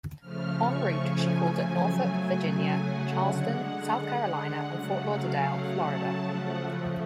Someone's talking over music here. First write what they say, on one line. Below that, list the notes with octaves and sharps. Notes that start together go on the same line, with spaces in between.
En route she called at Norfolk, Virginia; Charleston, South Carolina; and Fort Lauderdale, Florida.
C#3 F3 A3 F6
C#6
G#5
C#3 F#3 A3
G#5
F#5
D3 G#3 F#5
C#3 F#3 A3 F#5
F5
F#5
A5
C#3 F3 A3 F#5